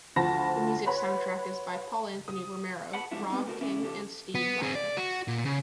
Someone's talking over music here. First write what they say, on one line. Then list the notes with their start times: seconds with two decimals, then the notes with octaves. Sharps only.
The music soundtrack is by Paul Anthony Romero, Rob King and Steve Baca.
0.16 D2 F3 A5 B5 A#6
0.86 B4 C#5 F#5 B5 C6
2.28 D#6
2.93 F#5 A5 B5
3.11 F3 G3 G#3 D4 E4
3.30 B3 C4 D#4
3.46 D2 A3 F#4 A#4
3.61 C#3 E3 C#4 D4 E4
3.83 A#2 F3 D4 G4 A4
4.35 B3
4.63 C4 G#4
4.75 D5
4.97 F#4
5.28 A#2
5.45 C#3